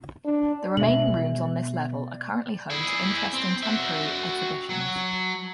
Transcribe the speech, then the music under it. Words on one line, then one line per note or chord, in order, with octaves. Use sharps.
The remaining rooms on this level are currently home to interesting temporary exhibitions.
D4
B2 G#3 E5 F#7
E4 G#4
C4
F#4 E5
F#3